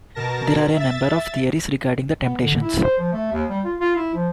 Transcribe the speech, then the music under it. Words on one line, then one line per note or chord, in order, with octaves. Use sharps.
There are a number of theories regarding the temptations.
B2 A#4 A5 A#6
E5 A6
B3
D3
E4
C5
F3
A3
D#2
G3
F4
F4
E4
F3